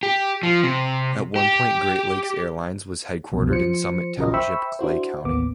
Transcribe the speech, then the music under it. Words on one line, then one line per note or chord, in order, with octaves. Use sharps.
At one point Great Lakes Airlines was headquartered in Summit Township, Clay County.
G4
F3
C3
G4
C2 F2 B2
F3 C5 C#7
A#1 C#3 F#3 F4 A#4 D#5
C5 E5 G5 B5 C#6 E6
D4 E4 F#4 C5
A1 D#2 A#3 B3 D6